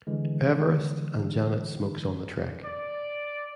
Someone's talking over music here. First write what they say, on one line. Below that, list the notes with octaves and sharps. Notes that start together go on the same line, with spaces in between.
Everest, and Janet smokes on the trek.
D3 E3 G#3
D5